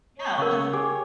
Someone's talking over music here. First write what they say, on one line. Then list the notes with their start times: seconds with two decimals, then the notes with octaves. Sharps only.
Yeah, it was.
0.19 C#5
0.38 C#3 A#4 C#6
0.73 G4 G#4 D6